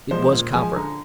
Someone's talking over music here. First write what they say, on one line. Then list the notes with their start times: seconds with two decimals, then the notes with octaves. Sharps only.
It was copper.
0.11 F3 G#3 C5
0.32 A#2
0.54 F3 G#3 G#5
0.76 D3 A#5